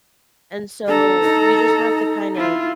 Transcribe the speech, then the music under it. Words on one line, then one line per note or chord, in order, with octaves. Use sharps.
And so, you just have to, kind of,
D4 A4 A#5
D#4
E4 F4